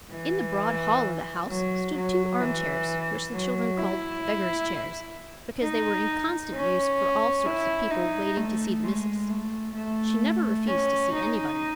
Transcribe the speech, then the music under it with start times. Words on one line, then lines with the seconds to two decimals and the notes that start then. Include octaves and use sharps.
In the broad hall of the house stood two armchairs, which the children called "beggars' chairs," because they were in constant use for all sorts of people, "waiting to see the missus." She never refused to see anybody.
0.11 E3
1.48 F#3
1.94 F#3
2.40 E3
3.31 F#3
3.78 E4
5.62 D#4
6.53 C#4
7.45 E4
7.91 D#4
8.37 A3
8.84 G#3
9.29 A3
9.75 A3
10.67 C#4
11.13 D#4